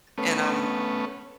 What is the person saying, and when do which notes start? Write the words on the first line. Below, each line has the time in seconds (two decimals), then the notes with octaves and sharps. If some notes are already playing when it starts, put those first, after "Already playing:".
and, um,
0.18 A3 B3 C#4